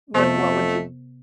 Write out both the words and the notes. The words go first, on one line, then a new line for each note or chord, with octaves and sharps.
Like, what would you
F2 C3 A3 B3 C5